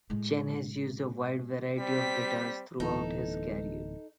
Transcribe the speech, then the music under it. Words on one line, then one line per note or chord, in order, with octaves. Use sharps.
Chan has used a wide variety of guitars throughout his career.
A2 G#3
G3 C4 B6
D1 E3 B3 D#4 A4